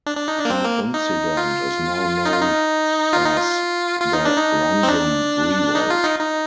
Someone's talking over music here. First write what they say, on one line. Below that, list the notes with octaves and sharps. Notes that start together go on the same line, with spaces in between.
The incident is now known as the Rundum Revolt.
D4
D4
D#4
D4
A#3
C4
A#3
D#4
F4
D#4
F4
D#4
F4
D#4
F4
F4
D#4
D4
D#4
C4
D4
D#4
F4
D#4
D#4